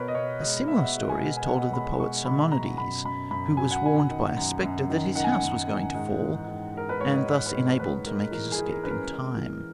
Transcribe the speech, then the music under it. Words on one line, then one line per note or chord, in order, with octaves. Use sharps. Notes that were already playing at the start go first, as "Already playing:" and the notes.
A similar story is told of the poet Simonides, who was warned by a spectre that his house was going to fall, and thus enabled to make his escape in time.
Already playing: B2 B3 A#4 B4 C#5
D#5
B2 C#5
G#3 D#5
B2 E5
F#5
E5
G#3
G#5
B2 F#5
G#5
B2 F#5
G#3 B5
G#3 C#6
B2 B5
B2 A#5
F#2 B5
F#2 B5
F#2 B5
F#3 G#5
F#5
F#2 G#5
D#3
F#2
F#2
D#3
D#3 F#5
G#5
F#5
F#2
D#3
G#2
E3
G#2
G#3 A#4
B4
G#2 C#5
D#5
G#2
B4
G#3 C#5
G#2 B4
G#3 A#4
E3 A#4
G#4
E3
A#4
C#4 B4
A#4
G#3
E3